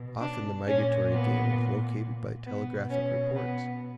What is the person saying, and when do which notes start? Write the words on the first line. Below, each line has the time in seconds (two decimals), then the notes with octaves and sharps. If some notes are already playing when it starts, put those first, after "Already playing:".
Often the migratory game was located by telegraphic reports.
Already playing: B2
0.21 D4
0.66 A#2 C#4
1.12 B3
2.46 B2 B3
2.90 C#4
3.35 B3